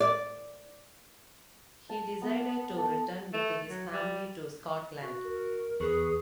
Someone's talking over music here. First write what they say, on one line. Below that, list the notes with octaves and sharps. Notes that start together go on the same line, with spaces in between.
He decided to return, with his family, to Scotland.
D5
A5
B3
D#6
A4
A3
F#3
G3
F#4
A#4
E2 G#4 B4 C#6